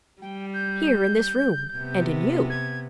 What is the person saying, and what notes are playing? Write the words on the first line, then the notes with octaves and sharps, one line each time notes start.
"Here, in this room, and in you."
G3 G5
G6
C3 B3
G#6